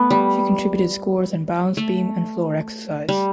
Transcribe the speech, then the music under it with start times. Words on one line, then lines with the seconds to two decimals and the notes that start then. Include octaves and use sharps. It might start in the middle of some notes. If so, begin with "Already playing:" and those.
She contributed scores on balance beam and floor exercise.
Already playing: A3 B3
0.10 G3
1.77 A3
3.09 G3